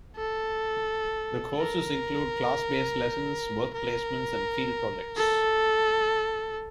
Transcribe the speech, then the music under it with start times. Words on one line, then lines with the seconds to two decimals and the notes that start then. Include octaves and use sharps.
The courses include class-based lessons, work placements and field-projects.
0.16 A4
1.59 A#4
3.74 A#4
5.17 A4